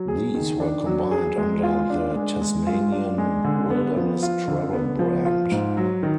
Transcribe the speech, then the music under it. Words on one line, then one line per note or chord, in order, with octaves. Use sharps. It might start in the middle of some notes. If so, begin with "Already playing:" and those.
These were combined under the Tasmanian Wilderness Travel brand.
Already playing: F#3
G#4
D#3
D4
F#3
G#4
G#3
F4
D4
G#3
G#3
F4
D4
G#3
D3
B3
F3
F4
D3
B3
F3
F4
G#2
F#3
D#3